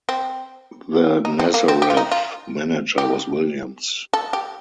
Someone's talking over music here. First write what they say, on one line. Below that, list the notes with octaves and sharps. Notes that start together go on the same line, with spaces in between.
The Nazareth manager was Williams.
C4
D#4
C4
A#3
C4
G4
F4
D#4
F4
G4
A4
G4